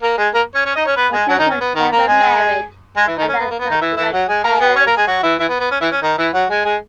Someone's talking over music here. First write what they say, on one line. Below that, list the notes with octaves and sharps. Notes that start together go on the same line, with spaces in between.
Botetourt never married and left no direct heirs.
A#3 A#4
G#3 G#4
A#3 A#4
C#4 C#5
C#4 C#5
D#4 D#5
C#4 C#5
B3 B4
G#3 G#4
F#3 F#4
D#3 D#4
C#4
B3
D#3 D#4
A#3 A#4
G#3 G#4
G#3 G#4
E3 E4
D#3 D#4
C#4
B3
A#3
B3
D#3 D#4
E3 E4
E3 E4
F#3 F#4
G#3 G#4
A#3 A#4
B3 B4
C#4 C#5
A#3 A#4
G#3 G#4
F#3 F#4
E3 E4
E3 E4
B3
B3
C#4
E3 E4
C#4
D#3 D#4
E3 E4
F#3 F#4
G#3 G#4
G#3 G#4